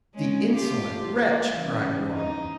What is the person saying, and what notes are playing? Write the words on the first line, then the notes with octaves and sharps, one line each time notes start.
"The insolent wretch!" cried one.
G#3 C#4
A3 F4 G4
A#3
C#3 E3 G3
D#4